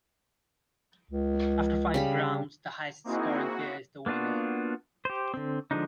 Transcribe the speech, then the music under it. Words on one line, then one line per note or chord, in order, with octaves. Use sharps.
After five rounds, the highest-scoring player is the winner.
C#2
C#3 G3 B5
A#3 C4 D#4 E4 F#4 G#4
F#4
A#3 B3 D4 F4 F#4
G4 C5
D3 C4
D3 F3 G#3 D4 D#4